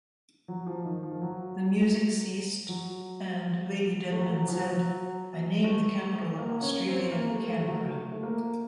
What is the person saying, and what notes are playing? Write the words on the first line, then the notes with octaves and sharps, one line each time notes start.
The music ceased and Lady Denman said, I name the capital of Australia Canberra.
F#3
F3
D#3
F3
F#3
F#3
A3
F#3
F#3
F3
F#3
F#3
A3
A#3
C#4
C4
A#3
A3
A3
A3
F#3
A3
A3
A#3